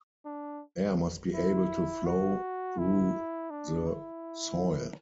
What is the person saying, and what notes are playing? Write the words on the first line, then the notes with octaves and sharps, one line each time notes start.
Air must be able to flow through the soil.
D4
E4
F#4
E4
D4
E4